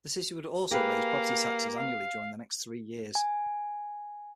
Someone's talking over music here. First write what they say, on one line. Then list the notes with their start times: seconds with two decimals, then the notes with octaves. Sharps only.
The city would also raise property taxes annually over the next three years.
0.71 A#3 G4 G#4 B4 F5
1.76 F5
3.15 G#5